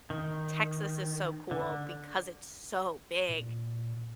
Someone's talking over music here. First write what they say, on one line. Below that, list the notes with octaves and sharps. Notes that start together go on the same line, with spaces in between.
Texas is so cool, because it's so big
D#3
D3
A#2